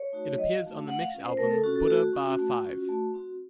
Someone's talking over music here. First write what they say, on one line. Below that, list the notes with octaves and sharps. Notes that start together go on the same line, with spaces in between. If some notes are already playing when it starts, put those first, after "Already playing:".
It appears on the mix album "Buddha Bar V".
Already playing: C#5
A3 D#4 F#4
F#3 D#5
F5
A3 D#4 F#4
A3 F#5
F5
C#4 F4
C5
A3 A#4
A4
C#4 F4 F#4
A4
A3 F#4
C#4 F4
A3
C#4 F4
A3
C4 F#4